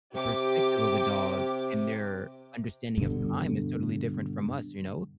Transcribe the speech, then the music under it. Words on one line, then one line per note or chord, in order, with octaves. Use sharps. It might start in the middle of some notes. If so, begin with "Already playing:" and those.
the perspective of a dog and their understanding of time is totally different from us, you know?
C3 G4 D6
G2 B2 D3